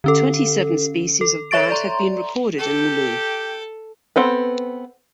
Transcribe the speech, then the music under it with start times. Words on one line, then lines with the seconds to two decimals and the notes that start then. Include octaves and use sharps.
Twenty seven species of bat have been recorded in Mulu.
0.04 D3 C#4 A4
1.21 A4
1.51 C#5 E5 C#6 A6 D7
1.70 D5 A#5 C6
2.59 G4 A4 G5
4.16 B3 C4 A4 B4